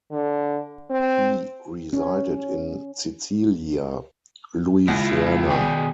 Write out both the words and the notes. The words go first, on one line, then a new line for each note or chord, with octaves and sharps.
He resided in Cecilia, Louisiana.
D3
C4
C#4
C#2 E4 F4 A#6
B2 D#3 G#4 D5 G5 B6